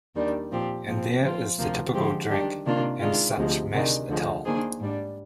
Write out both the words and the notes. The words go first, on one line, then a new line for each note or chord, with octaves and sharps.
And there is the typical drink and Such mass Atol.
D#2 D#3 G3 D4
A#2 F3 C4 G4
A#2 F3 C4
F3 C4 F4
D2 C3 F3 A#3 F4
D3 F3 G#3 C4 G4
D#3 G3 D4 G4
C3 D#3 A#3 D4 F4
D#3 G#3 D4 F4
D2 C3 F3 G#3
C3 D#3 G#3 D4
D2 D3 F3 G#3
D#3 A#3 D4 G#4 C5
G#2 G3 D4